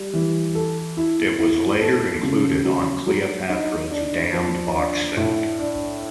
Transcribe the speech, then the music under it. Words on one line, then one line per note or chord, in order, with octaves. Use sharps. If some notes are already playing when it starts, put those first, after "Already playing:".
It was later included on Cleopatra's Damned Box Set.
Already playing: G3
E3
A4
E4
E4
A4
C#3
F#3
F#3
D#4
D4
F3
D4
A2
D4